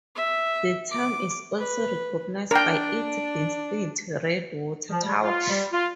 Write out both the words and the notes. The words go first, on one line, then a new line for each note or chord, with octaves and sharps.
The town is also recognized by its distinct, red water tower.
E5
D6
B4
D4 A#4 G5
F3
G3
F4
G3
F4